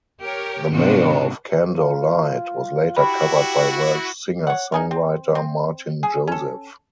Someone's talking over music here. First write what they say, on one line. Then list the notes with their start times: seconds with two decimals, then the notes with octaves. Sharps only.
"The Mayor Of Candor Lied" was later covered by Welsh singer-songwriter Martyn Joseph.
0.21 G4 A#4 C#5
0.72 G#2 C3 B3 D4 F4 F#4
1.78 F4
2.97 E4 F#4 G4 B5
4.47 C#5 F#5
4.72 D#4 G#4 A#4
4.91 C4
5.35 C4
6.03 G#4
6.27 C#4 A4